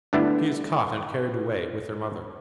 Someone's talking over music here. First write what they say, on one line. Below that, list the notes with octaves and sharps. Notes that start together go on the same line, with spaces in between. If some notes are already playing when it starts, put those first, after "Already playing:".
"She is caught and carried away--with her mother."
G2 D3 A3 B3 D4 E4